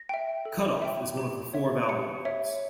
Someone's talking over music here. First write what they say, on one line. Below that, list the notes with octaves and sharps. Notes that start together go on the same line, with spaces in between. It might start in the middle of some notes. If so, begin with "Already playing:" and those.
Cutoff is one of the four valve events.
Already playing: A#6
E5 G5
A4
E5 G5
G4
C#5 E5
D7
G4 C#7
C#5 E5